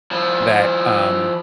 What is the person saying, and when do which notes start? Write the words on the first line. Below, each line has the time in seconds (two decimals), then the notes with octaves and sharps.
that, um
0.11 F3 E4